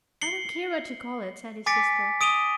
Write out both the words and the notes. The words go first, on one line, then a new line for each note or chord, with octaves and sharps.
"I don't care what you call it," said his sister.
C7 C#7 F#7 G7
G#5 D6 A6 B6 C#7 D7
D#6 D7 D#7 F7 G7